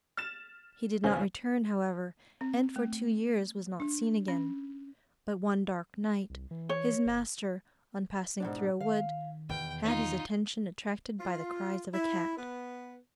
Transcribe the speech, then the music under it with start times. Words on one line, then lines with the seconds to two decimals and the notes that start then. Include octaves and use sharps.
He did not return, however, and for two years was not seen again; but one dark night, his master, on passing through a wood, had his attention attracted by the cries of a cat.
0.17 F6 A6 E7
1.04 A#1 D#2 C#3 C#4 C5 G#5
2.41 C4
2.76 A3
3.80 D4
4.28 C#4
6.30 C2
6.51 E3
6.69 C#5
7.06 G1
8.40 G#2 B2 D4
8.80 D#3 F5
9.49 E2 B2 G5
9.84 D#4 F4
11.19 F4
11.94 E4
12.37 B3